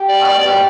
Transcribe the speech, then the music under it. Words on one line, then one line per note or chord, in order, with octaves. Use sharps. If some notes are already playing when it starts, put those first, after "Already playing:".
I will.
Already playing: G4
D5
D5
G4 D5